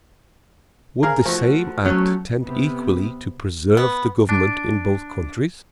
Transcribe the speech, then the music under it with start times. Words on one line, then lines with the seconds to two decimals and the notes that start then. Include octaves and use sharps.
Would the same act tend equally to preserve the government in both countries?
1.03 G#4 A#4 F5
1.26 F3 A3 F#4
1.85 F#3 A3 C#4
2.41 C3 B3
3.77 B3
4.29 D4